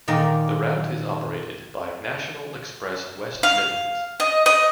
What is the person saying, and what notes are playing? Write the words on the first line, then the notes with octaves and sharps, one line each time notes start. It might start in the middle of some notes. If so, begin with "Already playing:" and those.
The route is operated by National Express West Midlands.
A#2 D#3 A#3 A#4 D5
F5
D#5
D#5